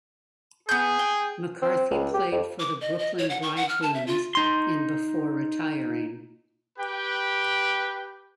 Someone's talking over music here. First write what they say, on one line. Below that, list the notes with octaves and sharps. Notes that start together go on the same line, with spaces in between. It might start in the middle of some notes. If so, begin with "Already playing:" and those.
McCarthy played for the Brooklyn Bridegrooms in before retiring.
B3 G#4 G6
G5
C4
C#2
G4
F2
D6
D#5
D#5
C#5
F#5
C#6
F#5
F6
A5
E5
F4
D#4 C6
G4 B4 G5